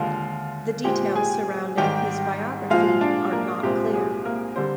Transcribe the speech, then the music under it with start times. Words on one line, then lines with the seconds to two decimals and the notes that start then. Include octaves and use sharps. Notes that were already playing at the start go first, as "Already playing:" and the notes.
The details surrounding his biography are not clear.
Already playing: D#2 D3 G#3 F4 F5
0.84 A#2 G#3 C4 G4 G5
1.16 G#4 G#5
1.77 G#2 D#3 G3 G4 G5
2.70 A#2 F3 G#3 F4 F5
3.01 D4 D5
3.32 A#3 A#4
3.63 C2 A#2 G#3 C4 G4
3.94 G#4
4.25 A#3 A#4
4.56 D3 G3 C4 C5